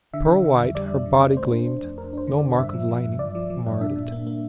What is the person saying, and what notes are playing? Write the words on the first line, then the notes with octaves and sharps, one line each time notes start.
Pearl white her body gleamed; no mark of lightning marred it.
D3 E5
D3
D3 E5
F2
G3 D5
F2
D3
C4
A3 C5
D4
D4
F2
F2 A#4
D4 C5
D3
D4 D5
G2 E5
F3
F3
G2
G2 D5
F3
F3
G2
D4 E5
A#2
A#3
A#3